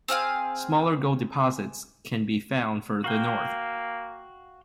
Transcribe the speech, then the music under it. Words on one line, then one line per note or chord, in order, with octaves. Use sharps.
Smaller gold deposits can be found further north.
C4 G#4 F5 G#5
A#3 F#4 F5 G5